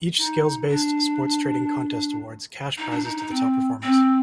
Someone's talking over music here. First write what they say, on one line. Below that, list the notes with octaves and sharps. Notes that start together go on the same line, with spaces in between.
Each skills-based, sports trading contest awards cash prizes to the top performers.
D#4
D4
D#4
D4
D#4
D#4
C4
C4